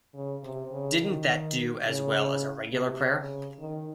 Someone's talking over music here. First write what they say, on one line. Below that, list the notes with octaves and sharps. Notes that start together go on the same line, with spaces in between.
Didn't that do as well as a regular prayer?
C#3
C3
C#3
D#3
C#3
C3
C#3
D#3